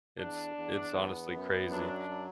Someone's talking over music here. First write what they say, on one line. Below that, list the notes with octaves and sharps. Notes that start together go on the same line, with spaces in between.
it's it's honestly crazy,
E2 D4
E2
B3
F#2
F#3 D4
F#3